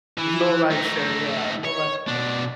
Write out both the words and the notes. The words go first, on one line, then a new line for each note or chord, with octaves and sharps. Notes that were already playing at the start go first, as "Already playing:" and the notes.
no rideshare, yeah, no ri
E3
A3 D#4
C#5
B2 D4